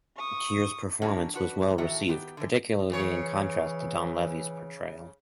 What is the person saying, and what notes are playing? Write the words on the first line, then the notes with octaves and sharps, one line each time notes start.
Keir's performance was well-received, particularly in contrast to Donlevy's portrayal.
C#6 D#6
A#3 C#4 D4 E4 F#4 G4
D4 F#4 B4
A2 D#3 A3 F#4 E5
D#3 B3 G4
D3 E3
C#3 E3 C#5